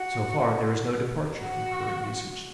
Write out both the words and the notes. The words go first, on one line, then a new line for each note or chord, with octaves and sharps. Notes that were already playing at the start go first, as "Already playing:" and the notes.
So far, there is no departure from current usage.
Already playing: F#4
F#4